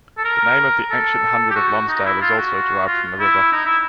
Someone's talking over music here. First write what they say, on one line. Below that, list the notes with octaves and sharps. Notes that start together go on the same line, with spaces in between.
The name of the ancient hundred of Lonsdale is also derived from the river.
A4
A#4
A4
G4
F#4
D#4
E4
F4
F#4
F4
E4
D#4
E4